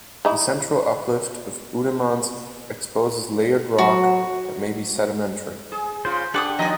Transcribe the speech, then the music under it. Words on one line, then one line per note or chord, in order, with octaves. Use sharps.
The central uplift of Oudemans exposes layered rock that may be sedimentary.
E3 D#4 E4
F#3 F#4
G#4
C#3 F4 C5
D4 G4 A4 F#5 D6 D#6
D#2 F3 D#5 G#5 A#5